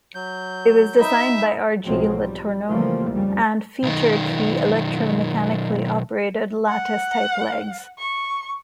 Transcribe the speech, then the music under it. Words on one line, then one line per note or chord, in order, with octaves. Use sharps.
It was designed by R. G. LeTourneau and featured three electro-mechanically-operated lattice type legs.
F#3 G6
D#4 E5 B5
B1 G#2 F3 F#3 G#3 C4
G3
C#3 E3 F3 G3 A3 A#3
C2 F2 C#3 G3
B1 D#3
F#5
C#6